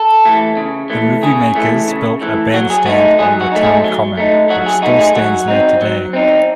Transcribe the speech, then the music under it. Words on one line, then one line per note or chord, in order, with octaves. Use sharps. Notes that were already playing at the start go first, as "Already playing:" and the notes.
The moviemakers built a bandstand on the town common, which still stands there today.
Already playing: A4
E3 A3
C#3
E3 A3
C#3 G#4
E3 A3
C#3
E3 A3
F#3 F#4
G#4
A3 D#4 F#4
F#3 G#4
F#4
A3 D#4
G#4
F#3
A3 D#4
F#3 F#4
G#4
A3 D#4 F#4
G#4
F#3 F#4
C4 D#4
F#3
C4 D#4